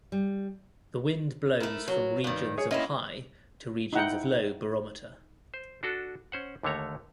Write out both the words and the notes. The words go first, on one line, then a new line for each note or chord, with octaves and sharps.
The wind blows from regions of high to regions of low barometer.
G3
A3 E4 A#4
F#3
G2 D#3
G#4 C#5
A#3 C4 C#4 E4 D#5 E5
D#4 E4 F#5 G5
C5
D4 F#4 A4 A5
C#4 C5 F#5
D#2 D3 A3 C#5 A#5